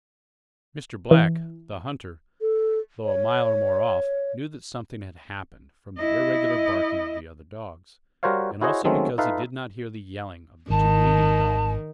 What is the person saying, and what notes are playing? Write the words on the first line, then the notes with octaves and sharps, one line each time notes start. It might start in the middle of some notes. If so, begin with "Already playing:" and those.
Mr. Black, the hunter, though a mile or more off, knew that something had happened from the irregular barking of the other dogs, and also because he did not hear the yelling of the two leading dogs.
E3
A4
C#5
E4 D#5
G3 F#4 A#4 C5 C#5 F5
E4 F#4 G#4 C5 C#5 D#5
D#3 F#3 G#3 A3 C4 C#4
D#4 F4 A4 B4 E5 F5
G#1 D#3 A5